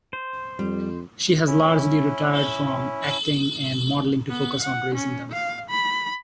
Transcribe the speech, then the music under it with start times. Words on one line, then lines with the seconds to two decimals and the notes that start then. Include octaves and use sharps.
She has largely retired from acting and modelling to focus on raising them.
0.13 C5
0.59 F2 G3
1.47 C#4 E4
4.29 B3
4.60 F#5
4.94 C#4
5.32 F5
5.70 B5